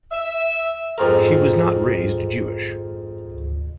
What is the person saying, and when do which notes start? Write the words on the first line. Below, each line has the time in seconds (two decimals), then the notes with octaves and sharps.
She was not raised Jewish.
0.12 E5
0.98 F2 G#2 A#4